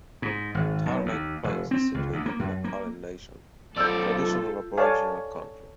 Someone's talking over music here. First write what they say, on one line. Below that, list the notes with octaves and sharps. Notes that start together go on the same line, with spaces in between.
Tarneit Plains is situated in the Kulin nation traditional Aboriginal country.
G#2
G#1
B1
D#2
F1
C4
C#2
D2
A#3
F#2
A#3
B1 F4 A4 D5 E6 G6
A4 C#5 D5 F5 G#5 A5